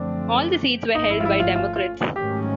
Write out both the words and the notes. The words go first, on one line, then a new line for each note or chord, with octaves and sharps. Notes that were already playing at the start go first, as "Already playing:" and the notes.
All the seats were held by Democrats.
Already playing: F#2 D3 F3 A3 C4 D4
G#1 G#2 F3 A3 C#4 D#4
E4
F4
E4
F4
F4
F4
G#2 D#3 F#3 A3 C#4 G4